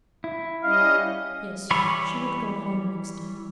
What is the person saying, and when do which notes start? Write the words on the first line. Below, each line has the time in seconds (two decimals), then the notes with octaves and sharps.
Yes, she would go home next day.
0.24 E4
0.63 G3 C#4 D#5 F5
1.71 E3 G3 C#5 B5